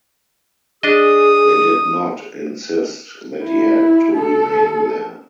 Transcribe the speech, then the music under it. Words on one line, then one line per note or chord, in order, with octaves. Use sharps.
They did not insist that he had to remain there.
D4 G#4 D#5 D#6
E4
A4